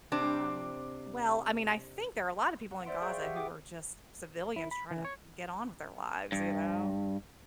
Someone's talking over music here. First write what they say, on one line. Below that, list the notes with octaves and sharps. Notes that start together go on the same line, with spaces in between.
Um, well, I mean, I think there are a lot of people in Gaza who are just civilians trying to get on with their lives, you know?
C3 C4 D4
F#5
C5 D5 E5 C6 D7
G#4 F5 G5 C#6 G6
G4 E5 F#5
G#4 F#5 G5 D6 D#6
E4
B5
E3
C#5
G2